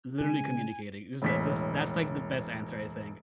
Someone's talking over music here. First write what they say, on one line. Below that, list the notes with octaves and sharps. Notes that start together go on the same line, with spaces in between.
Literally communicating, this, uh this that's, like, the best answer, I think.
C#3 G#3 G#5
E1 A1 B6